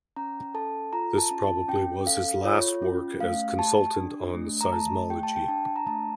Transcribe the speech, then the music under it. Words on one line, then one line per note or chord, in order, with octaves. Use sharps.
This probably was his last work as consultant on seismology.
C#4 A#5
A4 A5
F4 A#5
A5
C#4
A5
C#4 G5
A4 F5
F4 C#5
C#4
A3 F5
G4 A5
D4
A3
A#5
A3 A5
G4 G5
A5
G5
D4 A5
A#5
A3 A5